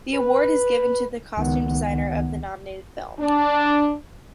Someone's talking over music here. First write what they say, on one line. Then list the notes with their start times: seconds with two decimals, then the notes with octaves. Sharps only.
The award is given to the costume designer of the nominated film.
0.15 B4
1.37 C#2 D#3 B3 F#5
3.19 D4